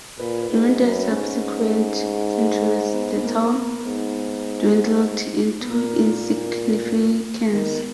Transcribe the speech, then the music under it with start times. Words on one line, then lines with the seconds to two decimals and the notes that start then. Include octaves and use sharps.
During the subsequent centuries, the town dwindled into insignificance.
0.19 A#2 B4
0.42 B4
0.50 G#2
0.80 F#2
0.87 B4
1.11 G#2 C#4
2.93 B3
3.24 A#3
3.55 B3
3.85 G#2 B3
5.61 B3
5.68 A#2 A#3
7.51 D#3 B3